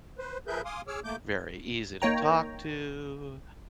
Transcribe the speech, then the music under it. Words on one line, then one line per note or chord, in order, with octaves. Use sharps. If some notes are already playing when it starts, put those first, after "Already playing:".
very easy to talk to,
B4 C5
F3 G#4 A#4 B4 E5 G6
F5 G#5 C6 D6 D#6
G#4 C#5 D6 E6 F6
A3 A#3 D6 G6
A#3 D#4 C#5 G5 A#5